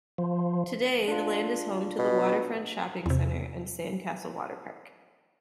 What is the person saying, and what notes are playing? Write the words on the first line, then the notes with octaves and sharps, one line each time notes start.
Today the land is home to The Waterfront shopping center and Sandcastle Waterpark.
F3
D4 F4
B2
E2 C3